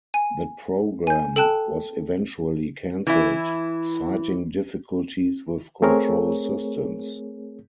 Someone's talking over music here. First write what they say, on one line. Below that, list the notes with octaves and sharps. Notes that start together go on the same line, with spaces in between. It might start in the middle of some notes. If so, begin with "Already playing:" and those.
That program was eventually cancelled, citing difficulties with control systems.
G#5
G#5 G6
A4 G5 A5 F#6
E3 E4
A3 C4 G#4 A#4 C#5